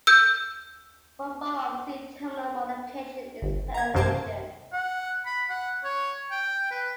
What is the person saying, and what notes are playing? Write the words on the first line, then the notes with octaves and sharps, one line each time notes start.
One form of C-terminal modification is prenylation.
E6 G6
G1
A#5 G#6
A1 F#2 C3 C5 A5 G#6
F#5
B5
F#5
C#5
G5
B4